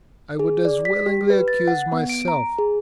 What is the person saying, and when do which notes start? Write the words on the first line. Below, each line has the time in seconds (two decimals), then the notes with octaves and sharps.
I would as willingly accuse myself!
0.39 G#4
0.65 D5
0.85 B6
1.06 G4
1.30 B4
1.48 A6
1.68 F#5
1.92 B3
2.09 D7
2.28 A#5
2.58 G#4